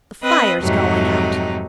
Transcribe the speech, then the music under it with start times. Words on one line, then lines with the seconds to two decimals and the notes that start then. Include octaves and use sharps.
The fire's going out!
0.22 C4 B4 D#5 B5
0.59 F2 G#2 C3 F#3 A3 D#4